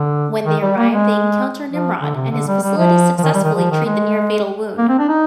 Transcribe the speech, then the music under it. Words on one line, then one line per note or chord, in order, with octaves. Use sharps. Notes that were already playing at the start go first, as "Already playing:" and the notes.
When they arrive, they encounter Nimrod, and his facilities successfully treat the near-fatal wound.
Already playing: D3
D#3
G3
A#3
G#3
F3
D3
C3
D3
G3
G3
F3
F3
D#3
G3
D#3
F3
D#3
G#3
A#3
C4
D4
D#4